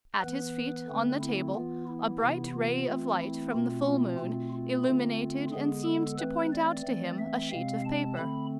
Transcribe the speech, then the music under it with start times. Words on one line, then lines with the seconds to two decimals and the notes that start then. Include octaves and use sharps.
At his feet, on the table, a bright ray of light from the full moon illuminated and seemed to point out to him a sheet of paper.
0.21 E3 B3 B4
0.87 D3 A3 C4
1.21 E4
1.55 E3 B3 F4
1.88 E4
2.20 C3 E3 B3
2.54 F4
2.87 E3 A3 C4
3.21 E4
3.53 B2 A3 C4 F4
3.86 F4
4.20 B2 A3 C4 F4
4.53 F4
4.87 D3 A3 C4 F4
5.53 D3 G#3 B3 G#4
5.85 A4
6.19 E3 A3 C4 B4
6.53 D5
6.85 E3 A3 C4
7.19 E5
7.52 C3 G#3 C4 F5
7.85 A5
8.17 D3 A3 C4 B5